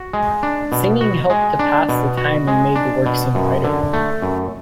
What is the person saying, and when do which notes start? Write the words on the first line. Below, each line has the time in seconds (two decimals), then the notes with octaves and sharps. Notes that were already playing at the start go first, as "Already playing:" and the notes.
Singing helped to pass the time and made the work seem lighter.
Already playing: F#4
0.13 G#3
0.43 D4
0.72 B2
1.01 F#4
1.30 G#3
1.59 D4
1.89 B2
2.17 F#4
2.48 G#3
2.76 D4
3.06 B2
3.35 F#2
3.64 D3
3.93 A3
4.22 F#2